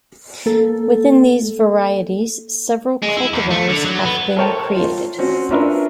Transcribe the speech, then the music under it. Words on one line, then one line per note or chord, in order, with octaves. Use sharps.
Within these varieties, several cultivars have been created.
A#3 A4
G#3
E4
E2
A3
D3
F#3
B3
A4 A#4 C5 C#5 G5 A5
F4
C4 C#4 F#4
C#4 D4 F4 A#4 B4 E5